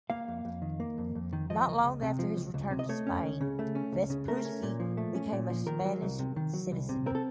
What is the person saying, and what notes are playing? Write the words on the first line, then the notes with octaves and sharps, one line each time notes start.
Not long after his return to Spain, Vespucci became a Spanish citizen.
A#3 F5
F2
F2
D#3
A#3
F2
F2
D#3
F3 D#5
C#2
C#2
C3
F3
C#2
C#2
C3
D#5
A3 C#5
C#4
C#2
C#3
A3
C#4
C#2
C#3
A3 A#4
C#4
A#2
F3
A3
C#4
A#2
F3
D#3 A#4
F#3
C2
C3
D#3
F#3
C2
C3
C4 A#4
A4